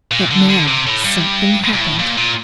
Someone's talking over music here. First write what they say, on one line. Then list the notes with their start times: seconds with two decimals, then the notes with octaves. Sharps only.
But now something happened.
0.11 A#2
0.31 D3
0.49 D3
0.68 C3
0.87 A2
1.05 G2
1.73 A#2
1.80 A2
1.99 A#2
2.18 A#2